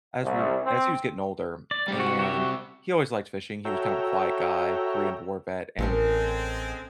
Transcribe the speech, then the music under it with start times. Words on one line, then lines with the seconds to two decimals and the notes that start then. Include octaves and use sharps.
as we were as he was getting older, and he always liked fishing, he was kind of a quiet guy, Korean War vet, and,
0.23 C2
0.64 C4
1.71 D5
1.88 C3 G3
2.00 F#4
2.19 F#4 G4 E5
3.65 F#4 A4 C#5 E5 G5 A#5
5.79 A1 G#3 C4 C#4 A4 A#4